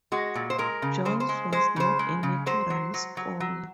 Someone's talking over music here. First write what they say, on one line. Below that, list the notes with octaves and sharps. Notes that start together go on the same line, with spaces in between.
Johns was not a natural scholar.
G#3 F#4
A#2
C5
G#3 A#4
C#3
C#3 C5
C5
G#3
G#3 C5
C#3 C5
G#3
C#3
F#3 C5
F#3
F#3
F#3
F#3